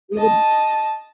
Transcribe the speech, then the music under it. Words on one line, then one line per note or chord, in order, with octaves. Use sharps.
we would
D#5 A5